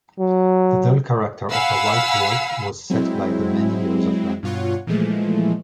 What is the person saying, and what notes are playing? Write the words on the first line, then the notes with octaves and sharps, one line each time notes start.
The dull character of a white wolf was set by the many years of life.
F#3
F5 F#5 G#5 B5 E6
F#3 G#3 C4 E4
G2 B2 F4 C#5 F#5
A#2 E3 F3 G#3 A3